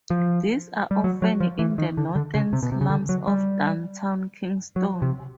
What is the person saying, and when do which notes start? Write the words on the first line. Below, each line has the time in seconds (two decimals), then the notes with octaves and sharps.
These are often in the northern slums of downtown Kingston.
0.10 F3
0.91 G3
1.04 F#3
1.22 F#3
1.40 F3
1.59 E3
1.78 D#3
1.97 D3
2.16 D3
2.35 C#3
2.53 C3
2.63 B2
2.72 C3
2.81 C#3
2.90 D3
3.09 F#3
3.28 G3
4.76 F#3
5.02 C3